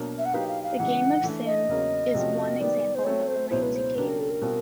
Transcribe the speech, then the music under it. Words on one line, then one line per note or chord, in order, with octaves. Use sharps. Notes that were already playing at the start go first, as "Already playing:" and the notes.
The game of Sim is one example of a Ramsey game.
Already playing: B2 F#3 A#3 D4
E5
F#5
F#3 A#3 D#4 G4 B4 F5
F5
F5
C#3 E3 G#3 F#5
E3 A3 D4
D#5
E2 C#3 F#3 A#3
C3 F3 A3 C#4 F#4
D#3 G3 B3 D5
C5
F#3 A3 C4 C#5
C5
C#2 B2 F#3 B3 E4 C5
B4
C5
C#3 F#3 A#3 D4 G4 B4
A#4
A4
A#4
B2 G3 C4 F4